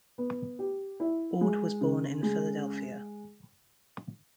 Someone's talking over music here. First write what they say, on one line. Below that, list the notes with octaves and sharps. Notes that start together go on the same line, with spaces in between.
Ord was born in Philadelphia.
B3
G4
E4
G#3
C#3
G#3